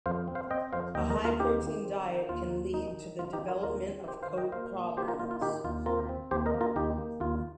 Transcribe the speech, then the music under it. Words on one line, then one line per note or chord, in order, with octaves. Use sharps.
A high protein diet can lead to the development of coat problems.
F2 C5 F5
C4
C5 F5
C4 D#5 G5
F2 C5 F5
D#2 D#5 G5
A#4 D#5
D#2
F4 A#4
C4 D#4 G4
D#3
C4
D#3
D#2 F4
D#2
D#3 D#4
D#3
F2 F4
D#4 G4
F2
F4 A#4
D#2 F4 A#4
C4
D#3 G4 C5
C5 F5
D#3
D#5 G5
A#3 C5 F5
A#2
A#3 G4 C5
F4 A#4
A#2 F4
F4
D#3 D#4 G4
D#2 F4
C4 F4 A#4
C4
D#2 G4 C5
A#4 D#5
A#3
F4 A#4
D#2 D#4 G4
A#3
D#2 F4